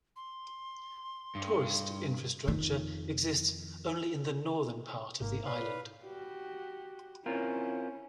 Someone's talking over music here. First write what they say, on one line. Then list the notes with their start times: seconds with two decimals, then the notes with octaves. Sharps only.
Tourist infrastructure exists only in the northern part of the island.
0.16 C6
1.35 G2
2.47 F2 D#3
5.20 G#1 G#2 A#3
5.45 B4 C#5 D5 F5
6.05 F#4 G4
7.26 C4 C#4 E4 F4 A#4